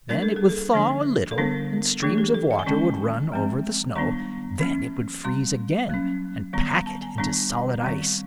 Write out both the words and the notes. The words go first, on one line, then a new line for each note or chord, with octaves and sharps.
Then it would thaw a little, and streams of water would run over the snow; then it would freeze again, and pack it into solid ice.
G3 A#3 D4 A#4
A4
G#4
A4
D3 F3 A#3 D4
A4
D3 G3 B3 D4 A#4
E3 A3 D4 G#4
G4
A4
D#5
G#5
D#3 G#3 C#4 A5
F3 G#3 C4
D#3 G3 B3 D4 A#5
F3 A#3 C#4
G3 C4 C6
F#3 A#3 C#4
D#3 G3 B3 A#5
A#5
A5
G#5
D#3 G3 B3 D4 A#5
D#3 G3 C4